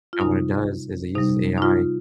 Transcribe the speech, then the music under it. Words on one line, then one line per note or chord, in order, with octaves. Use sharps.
and what it does is it uses AI
F4
C3 G3 D#4
C3 G3 D#4
D#4
F4